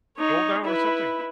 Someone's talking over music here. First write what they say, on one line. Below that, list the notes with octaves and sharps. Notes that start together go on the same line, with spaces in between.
old now or something.
D#4 C#5
E4 B4